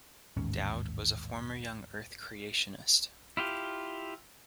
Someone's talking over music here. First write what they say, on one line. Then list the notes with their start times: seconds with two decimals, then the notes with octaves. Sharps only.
Dowd was a former young earth creationist.
0.37 A1 D#2 G#2 C#4
3.37 E4 F4 G4